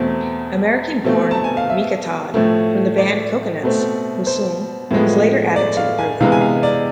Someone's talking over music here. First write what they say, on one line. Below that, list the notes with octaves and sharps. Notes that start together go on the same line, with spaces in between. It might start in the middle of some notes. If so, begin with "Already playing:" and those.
American-born Mika Todd from the band Coconuts Musume was later added to the group.
Already playing: E2 B2 A3 C4
B2 A3 C4
A5
G#5
F5
E5
A2 F3 A3
D5
B2 A3 C4
C5
A2 F3 G#3 B3
D5
F5
G#5
C3 E3 G#3 B3 F5
G#5
F5
D5